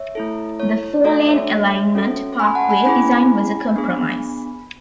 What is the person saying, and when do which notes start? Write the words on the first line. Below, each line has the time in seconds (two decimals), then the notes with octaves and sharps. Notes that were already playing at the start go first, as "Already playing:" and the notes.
The four-lane alignment, "parkway" design was a compromise.
Already playing: C#5 E5
0.15 A3 E4 A4
0.60 C#5
1.04 A3 D4 F#4 A4 D5
1.27 C#5 E5
1.95 C#4 F#4 A4
2.39 G#5 B5
2.55 F#5 A5
2.69 G#5 B5
2.85 C#4 E4 G#4 G#5 B5
3.76 B3 D4 G#4